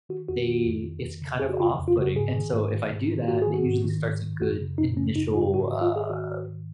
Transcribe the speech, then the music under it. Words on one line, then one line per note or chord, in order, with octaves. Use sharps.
they it's kind of off putting, and so if I do that, that usually starts a good initial, uh,
D#3 F#4
F2 F#4
D#3
F2
D#3
F2
C#3
F2 G#4
F#4
C#3 F4
F2
F4
C#3 F#4
G#2 G#4
D#3
G#2
D#3
G#2
D#3
G#2 F#4
G#4
D#3
F#4
G#2
D#3
G#2
D#3
F#2 F#4
C#3
F#2 D#4
C#3 C#4
F#2 D#4
C#3 F4
G#2 F#4
F#4
D#3
F4
G#2 G#4
D#3 F#4
G#2
D#3